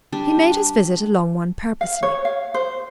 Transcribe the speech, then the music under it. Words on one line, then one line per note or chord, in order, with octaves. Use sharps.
He made his visit a long one purposely.
G3 D4
F5
C#5
F5
C5